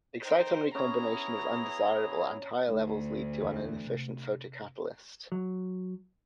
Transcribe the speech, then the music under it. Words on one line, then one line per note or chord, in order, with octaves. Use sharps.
Exciton recombination is undesirable and higher levels lead to an inefficient photocatalyst.
D#4 C5 G5 A#5
B3 C#4 E4 G#4 A#5
D2 A3 D#4
E2 E3
C3
F#3